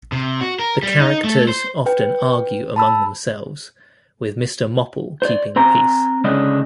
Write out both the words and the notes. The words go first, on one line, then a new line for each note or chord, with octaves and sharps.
The characters often argue among themselves, with Mr Mopple keeping the peace.
C3
F#4
A#4
G3
D#4
A3
C5
B4 G5
A5 B5 E6
C5 D5
C4 C5 G#5 A#5
C#2 D3 G#3 C#4 D4 D#5